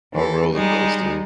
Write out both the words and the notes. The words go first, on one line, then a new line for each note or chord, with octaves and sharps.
a roller coaster.
E3 A4
G3 G#3 D#4